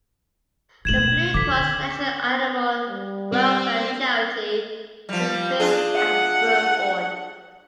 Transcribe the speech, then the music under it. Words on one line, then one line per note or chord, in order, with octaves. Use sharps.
The Blue Cross National Animal Welfare Charity is based at Burford.
B2 A3 G#6 E7 F#7
D3 D6 B6
G3
C4
F3 G3
D4 F4 G#4
F#5